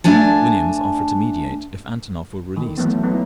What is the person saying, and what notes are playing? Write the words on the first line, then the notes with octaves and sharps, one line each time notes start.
Williams offered to mediate if Antonov were released.
A3 D4 G#5 A5
D#3
E3 F#3 A3 B3
F#3 B3 D#4 E4